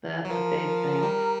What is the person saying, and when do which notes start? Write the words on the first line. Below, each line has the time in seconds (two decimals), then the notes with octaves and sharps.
That's a big thing.
0.25 F#3
0.29 F3 A#4
1.02 G3